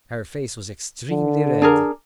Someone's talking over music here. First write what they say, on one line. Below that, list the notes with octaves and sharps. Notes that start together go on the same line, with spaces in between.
Her face was extremely red.
D3
D4 G#4 A#4